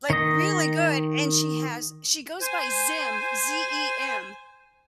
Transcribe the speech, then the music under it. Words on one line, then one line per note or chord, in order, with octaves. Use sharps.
like, really good, and she has she goes by Zem, Z-E-M,
D#3 D#5
C5 G#5